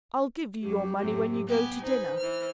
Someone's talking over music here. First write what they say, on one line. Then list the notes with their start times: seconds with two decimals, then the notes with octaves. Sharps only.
I'll give you your money when you go to dinner.
0.62 F#2 G4
0.99 F#2 A2 C3
1.46 B3 G4 G#5
1.82 D#4 B4 C5 G#5
2.17 E3 F6